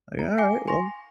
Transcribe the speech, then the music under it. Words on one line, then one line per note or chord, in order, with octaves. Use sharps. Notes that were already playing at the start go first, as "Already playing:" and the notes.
like, "Alright, well"
A#5
F5 G5 G#5 D6
G#5 C6 C#6 A#6